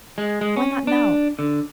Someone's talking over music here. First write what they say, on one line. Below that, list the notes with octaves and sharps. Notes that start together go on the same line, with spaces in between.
Why not now?
G#3
G#3
C#4
D4
D3